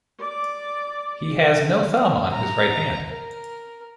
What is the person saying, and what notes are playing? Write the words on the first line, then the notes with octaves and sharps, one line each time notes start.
He has no thumb on his right hand.
D5 D6
A#5
A#4